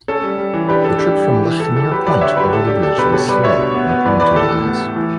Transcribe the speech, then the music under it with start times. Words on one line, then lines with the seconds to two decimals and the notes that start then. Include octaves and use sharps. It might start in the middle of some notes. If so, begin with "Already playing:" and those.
The trip from Lechmere Point over the bridge was slow and prone to delays.
0.08 C#4 A4
0.23 G3
0.38 G3
0.54 E3
0.69 D4 G4 B4
0.84 D4 A4
0.99 D4 G4
1.15 G3
1.30 E3
1.46 E3
1.60 E3 A4
1.76 E3 A4
1.91 F#3 G4 B4
2.07 F#3 B4 D5
2.21 D3 C#5 E5
2.37 F#3 G4 B4
2.52 D4 A4
2.67 D4 G4
2.82 D4 A4
2.98 B2 G4 B4
3.13 B2 A4 C#5
3.29 G3 B4 D5
3.43 D4 C#5 E5
3.59 B2
3.75 B3
3.89 B3
4.05 E3 B4 D5
4.20 E3 B4 D5
4.31 G4
4.35 A2 A4
4.50 A2
4.66 B3
4.82 A2
4.96 E3